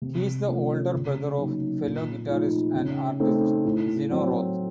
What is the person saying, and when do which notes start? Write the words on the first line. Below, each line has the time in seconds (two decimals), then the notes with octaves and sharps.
He is the older brother of fellow guitarist and artist Zeno Roth.
0.02 C3
0.47 F3 A3 C#4
0.93 C#3
1.38 F#3 A#3 D#4
1.83 A#2
2.29 F3 A3 D#4
2.74 C#3
3.20 A3 C4 D#4
3.65 A2
4.10 F#3 C4